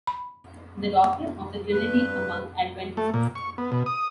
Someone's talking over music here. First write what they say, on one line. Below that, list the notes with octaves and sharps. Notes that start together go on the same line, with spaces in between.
"The Doctrine of the Trinity Among Adventists".
B5
G2 B4
A3
A#2
C#6
B3
B2
D#6